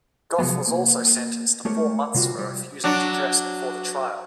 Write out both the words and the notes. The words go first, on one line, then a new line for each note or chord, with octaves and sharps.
Gough was also sentenced to four months for refusing to dress before the trial.
C3 F3 F#3 G#3 B3
A#3
G#3 A3 G4 A#4 C#5
C3 G3 F4 F#4
G3
F#3 D4